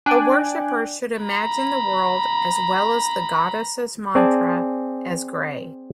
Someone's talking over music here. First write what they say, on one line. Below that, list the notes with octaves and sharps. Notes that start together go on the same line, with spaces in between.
A worshipper should imagine the world as well as the goddess's mantra as grey.
D4 G5 G#5 D6 F#6
A#5 B5
C4 G#4 D5 G#5 A5